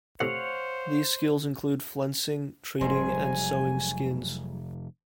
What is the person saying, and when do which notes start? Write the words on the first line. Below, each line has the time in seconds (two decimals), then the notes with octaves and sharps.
These skills include flensing, treating and sewing skins.
0.20 A2 C3 C5 C#5 F5 F#5
2.81 F1 G#2 F#3 G3 G#4 C5 G#5